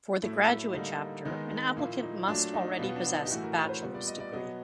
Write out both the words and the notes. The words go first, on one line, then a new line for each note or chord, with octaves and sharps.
For the graduate chapter, an applicant must already possess a bachelor's degree.
A2 F#3 A3 E4
E4
D3 G3 A#3 D#4
D#3 G#3 B3 D#4
D#4
A#2 F3 A#3 E4
D#4
A#2 F#3 A3 D4
D#4
B2 F#3 B3 F4
D4
D#4
G4
A2 E3 A3 F#4
A#4
B4
C#5
C5
A#2 G3 B3
D5
D#5
D5
B2 F#3 B3 D#5